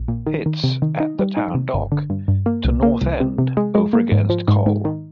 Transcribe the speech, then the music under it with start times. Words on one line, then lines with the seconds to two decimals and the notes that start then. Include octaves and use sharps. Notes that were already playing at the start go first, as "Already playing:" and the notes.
Pitts at the Town Dock to North End over against Col.
Already playing: A#1
0.08 A#2
0.27 D#3
0.46 D#3
0.63 C3
0.82 D#3
1.00 D#4
1.19 G3
1.37 D#4
1.55 C3
1.74 G1
1.92 D3
2.10 G2
2.28 G2
2.46 A#3
2.65 C2
2.83 A#3
3.02 C2
3.20 C3
3.38 C3
3.57 G#3
3.75 G#3
3.93 A#3
4.12 G#2
4.30 F3
4.48 G#2
4.66 G#2
4.85 D#3